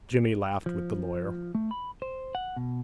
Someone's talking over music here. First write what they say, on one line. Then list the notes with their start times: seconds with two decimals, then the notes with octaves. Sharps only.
Jimmy laughed with the lawyer.
0.66 F3
1.55 A3
1.71 B5
2.02 C5
2.35 F#5
2.56 B2